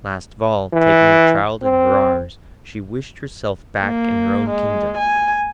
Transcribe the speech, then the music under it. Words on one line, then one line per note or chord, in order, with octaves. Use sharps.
Last of all, taking her child in her arms, she wished herself back in her own kingdom.
E3
C4
A#3
G#3
G#5